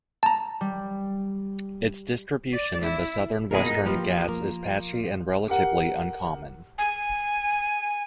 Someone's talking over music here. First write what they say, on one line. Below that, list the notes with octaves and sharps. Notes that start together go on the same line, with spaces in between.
Its distribution in the southern Western Ghats is patchy and relatively uncommon.
A5 A#5
G3
D5
E4
D#2 B2 B3 F4 G#4 A#4
G#2 D#4
F3 A#3 G4 B4
A#3 A#4
G4 A#4 F#5
G#5